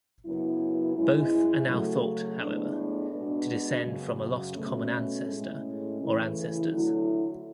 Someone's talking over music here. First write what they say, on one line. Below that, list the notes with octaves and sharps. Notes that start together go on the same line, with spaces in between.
Both are now thought, however, to descend from a lost common ancestor or ancestors.
F#2 C#3 F#3 B3 E4
G#2 G#3 C#4 E4
C#3 F#3 A3
A2 G#3 B3 D4
B2 G#3 D4
F#2 C#3 F#3
B2 A3 C#4
A2 G#3 C#4
C#3 E3 A3 E4
D3 F#3 A3 E4